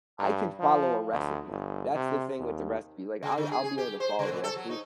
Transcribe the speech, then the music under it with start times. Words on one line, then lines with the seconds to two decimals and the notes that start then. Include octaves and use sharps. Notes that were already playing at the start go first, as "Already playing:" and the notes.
I can follow a recipe, that's the thing with the recipe. Like I I'll be able to follow the recipe,
0.19 G2
0.60 F3
1.12 D2
1.49 G1
1.95 C3
2.39 D#2
3.23 C#3
3.37 D3
3.51 G#4
3.64 G#4
3.78 G4
4.00 C5
4.19 C#3
4.32 A#2
4.44 A4
4.56 F#3
4.70 D#4